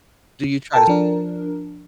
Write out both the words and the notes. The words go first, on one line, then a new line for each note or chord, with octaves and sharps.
Do you try to
A4 A#4 G5 A5
F3 D4 A#4